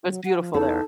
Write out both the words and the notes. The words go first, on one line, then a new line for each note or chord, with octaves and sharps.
It's beautiful there.
F#3
F#5
F3
E2 D#4 A4